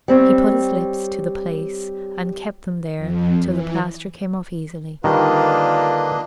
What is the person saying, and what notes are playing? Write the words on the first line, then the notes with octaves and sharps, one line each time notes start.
He put his lips to the place and kept them there till the plaster came off easily.
G3 C4 C#5
F2
E3
D3 D#3 G3 A#3 D4 F4 B4 D#5